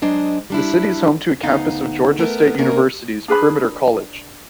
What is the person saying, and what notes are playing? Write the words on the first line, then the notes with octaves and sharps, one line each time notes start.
The city is home to a campus of Georgia State Universities Perimeter College.
F#3 G#3 D4 C5 D#5
G3 D4 E4
D2 B3 D#4 F5 A#5
A3 B3 A#4
C3 A#3 C#4 A#4 D#5
D4 G#4 B4 B5